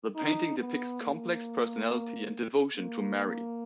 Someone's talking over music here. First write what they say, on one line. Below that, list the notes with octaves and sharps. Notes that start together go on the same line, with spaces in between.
The painting depicts complex personality and devotion to Mary.
D#4
B3
A#3
A#3